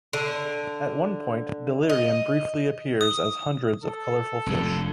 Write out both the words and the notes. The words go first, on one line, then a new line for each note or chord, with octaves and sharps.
At one point Delirium briefly appears as hundreds of colorful fish.
D3
D#5
D#6
A4
F1 F2 D3